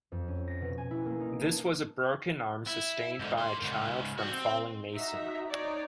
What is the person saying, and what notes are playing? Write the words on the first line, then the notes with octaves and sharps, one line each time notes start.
This was a broken arm sustained by a child from falling masonry.
F2
C#4
A#6
B2
G#5
E4
A#3
D#4
A5
E4
G#2 D3
A#4 C6
G#2 C#3
G3 F#4
C4
D#4 F#4 E5 A#5
D#4 C#5 D5